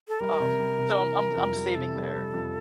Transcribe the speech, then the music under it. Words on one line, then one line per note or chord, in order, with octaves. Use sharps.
Um, so I'm I'm saving there.
A4
G3 A#4
C3
G3
C3
E3
E3
F2
G3
C3 A4
G3
G3
F2